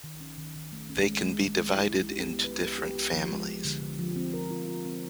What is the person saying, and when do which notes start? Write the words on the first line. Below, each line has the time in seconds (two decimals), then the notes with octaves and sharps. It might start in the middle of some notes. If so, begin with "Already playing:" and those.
They can be divided into different families.
0.04 D#3
0.20 C#4
0.38 D#3
0.55 D#3
0.72 A3
0.90 C#4
1.07 G#3
1.24 G#3
1.41 G#3
1.58 G#3
1.75 E4
1.92 G#3
2.10 G4
2.27 B3
2.44 B4
2.61 G4
2.79 G4
2.96 G4
3.13 F3
3.30 G#3
3.47 G#3
3.65 D3
3.82 D3
3.99 F3
4.16 C4
4.33 A#4
4.51 F4
4.67 F4
4.85 C4